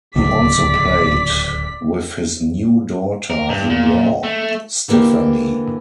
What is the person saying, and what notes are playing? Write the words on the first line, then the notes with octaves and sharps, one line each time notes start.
He also played with his new daughter in law Stephanie.
D1 C#2 D5 B6
A#4
G2
A#2
A3
D3 E3 A#3 G4